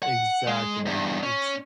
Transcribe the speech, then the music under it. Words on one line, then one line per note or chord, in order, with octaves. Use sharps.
Exactly. Exa
F#5
G#3
E2 G2
C#4